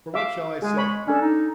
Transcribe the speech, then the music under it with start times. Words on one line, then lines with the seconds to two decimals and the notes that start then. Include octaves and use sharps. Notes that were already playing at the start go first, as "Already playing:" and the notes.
For what shall I say?
0.14 E5 F5 D6
0.62 G#3 G#4
0.77 C#5 B5
1.07 C#4 D4 A4
1.21 D#4